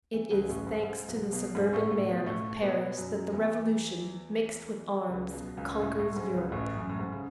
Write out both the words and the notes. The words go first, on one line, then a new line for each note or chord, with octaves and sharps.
It is, thanks to the suburban man of Paris, that the Revolution, mixed with arms, conquers Europe.
E2 E3
C#2 C#3
A1 A2
G#2
G#2
B1 B2
B1 B2
G#2 G#3
A2 A3
A2 A3
B2 B3
A2 A3
B2 B3
F#2 F#3
E2 E3
C#2 C#3
B1 B2
C#2 C#3
A2 A3
A2 A3
G#2 G#3
C#2 C#3
A1 A2
F#2
A2
G#2
C#3